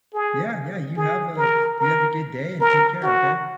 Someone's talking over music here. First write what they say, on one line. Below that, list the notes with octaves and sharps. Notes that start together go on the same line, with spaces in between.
Yeah, yeah, you have a you have a good day, and take care, okay?
G#4
G#4
A#4
A#4
A#4
F#4